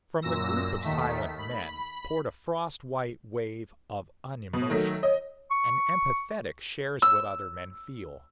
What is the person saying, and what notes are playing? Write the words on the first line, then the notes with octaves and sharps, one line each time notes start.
From the group of silent men poured a frost-white wave of unemotion. An empathetic shares what other men feel.
F#2 A#2 E6 A#6
D#2 D#3 A3 B6
B5
B2
D#3 F#3 A3
C#5 D#5
C#6
E6